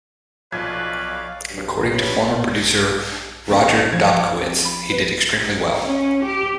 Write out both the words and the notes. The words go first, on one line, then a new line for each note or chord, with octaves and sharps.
According to former producer Roger Dobkowitz, he did extremely well.
B1 F3 B4 C#5 D5 F5 G#6
G2 F#3
C#4 B4
A#3 C4 D4 A#4 G5
F3 G#6
C4
B5
B3 B4
C#4
G4